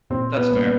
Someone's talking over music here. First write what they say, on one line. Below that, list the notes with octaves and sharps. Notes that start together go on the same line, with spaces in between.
that's fair.
A#2 C4
B3
G3 A#3 C#4
B3